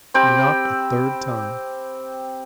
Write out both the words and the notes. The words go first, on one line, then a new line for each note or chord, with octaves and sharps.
He knocked a third time.
C4 G4 G5 B5